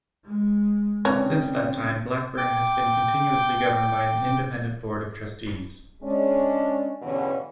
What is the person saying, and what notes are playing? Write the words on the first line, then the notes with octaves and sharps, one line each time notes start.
Since that time, Blackburn has been continuously governed by an independent Board of Trustees.
G#3
C#3 E3 C4 D4 C#5
G5 D6
G#3 C#4 D4
E2 G2 B2 D3 E3 C#4